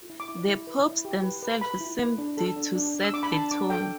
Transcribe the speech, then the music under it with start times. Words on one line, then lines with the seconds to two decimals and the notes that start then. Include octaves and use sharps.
The popes themselves seemed to set the tone.
0.10 E4
0.20 D6
0.29 E4
0.48 E4
0.67 B4
0.86 E4
1.05 G4
1.23 B4
1.43 B4
1.61 B4 B5
1.81 E4
1.99 B4
2.18 D4
2.37 A4
2.56 D4
2.75 D4
2.95 D4
3.04 E6
3.13 D4 D6
3.23 B5
3.32 D4 A5
3.51 D4 D6
3.70 A4 G5